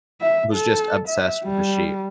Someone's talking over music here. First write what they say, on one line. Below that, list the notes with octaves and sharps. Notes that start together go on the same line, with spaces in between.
was just obsessed with the sheep.
E5
A4
E5
G3